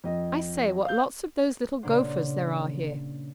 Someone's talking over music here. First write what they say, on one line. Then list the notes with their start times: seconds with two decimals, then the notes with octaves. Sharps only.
I say, what lots of those little gophers there are here.
0.04 F2 D#5
0.85 F5 G6
1.82 A#2 C#3 A#3 D4 C5 F#5